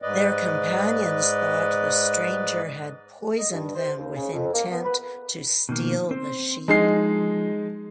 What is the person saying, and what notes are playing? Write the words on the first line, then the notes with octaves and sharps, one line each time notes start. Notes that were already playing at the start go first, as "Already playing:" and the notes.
Their companions thought the stranger had poisoned them with intent to steal the sheep.
G#2 B4 D5 D#5
D#5
G2
C5
D#2
C#3
F2
A#3
B3
B4
B2 D#3 A#3
C4 C5
F3 G#3 D#4 C7